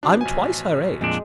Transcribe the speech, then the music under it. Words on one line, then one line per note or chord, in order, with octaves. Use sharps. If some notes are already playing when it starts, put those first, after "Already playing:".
I'm twice her age.
B2 F3 D4
A1 G#5
F2 A#2 G#3 D4 G5